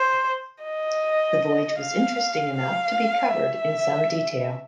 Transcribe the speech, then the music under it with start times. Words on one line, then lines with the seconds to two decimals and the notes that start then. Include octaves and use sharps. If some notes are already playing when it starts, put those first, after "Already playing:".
The voyage was interesting enough to be covered in some detail.
Already playing: C5
0.64 D#5
1.79 F5
2.57 F5
3.34 E5